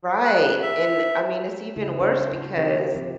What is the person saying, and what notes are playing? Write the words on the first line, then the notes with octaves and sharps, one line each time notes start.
Right, and, I mean, it's even worse because
F#6
E5
C#3 E4
D4 F#4 C5
E4 F#4
F3 C4 E4 G4 A#4
F3 C4